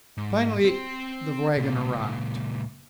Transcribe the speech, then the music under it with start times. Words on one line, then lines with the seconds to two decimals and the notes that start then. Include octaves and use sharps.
Finally the wagon arrived.
0.17 G#2
0.65 C4 C5
1.57 C#2 A#2